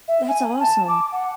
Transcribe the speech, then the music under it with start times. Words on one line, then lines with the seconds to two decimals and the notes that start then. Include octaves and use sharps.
that's awesome.
0.08 E5
0.28 G#5
0.59 A5
0.88 D6
1.12 F#5